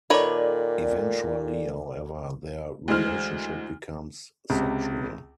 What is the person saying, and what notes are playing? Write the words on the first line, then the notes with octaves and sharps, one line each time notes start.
Eventually, however, their relationship becomes sexual.
A#2 D#3 A4 B4 C#5 D5
D2 E3 G#3 C5 F6
C#2 C3